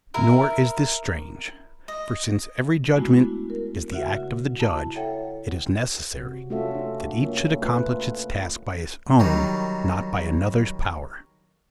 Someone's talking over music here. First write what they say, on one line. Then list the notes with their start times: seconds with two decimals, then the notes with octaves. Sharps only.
Nor is this strange; for since every judgment is the act of the judge, it is necessary that each should accomplish its task by its own, not by another's power.'
0.14 E4 A#4 E5
1.88 D#5
2.94 G#3 A3 B3 D4 E4 F#4
3.50 A#4
3.92 C#3 F#4 E5 F#5
4.60 E4 A5 A#5
4.96 A4 C#5 E5 F#5 G5
6.17 C3 F#4
6.50 A3 C#4 F4 F#4 A4 E5
6.75 D4
7.19 A#3 C#4 F4
7.62 A3 F4 B4
9.20 D#3 F#3 G3